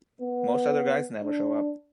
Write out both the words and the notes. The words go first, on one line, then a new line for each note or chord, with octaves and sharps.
Most other guys never show up.
B3
D4